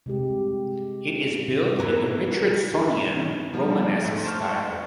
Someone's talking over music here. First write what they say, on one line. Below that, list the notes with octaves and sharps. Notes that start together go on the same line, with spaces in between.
It is built in the Richardsonian Romanesque Style.
C3 G#3 G4
E3 A#4 B4
F3 G3
G#2 G#3 A3
C5 A5 C#6 F6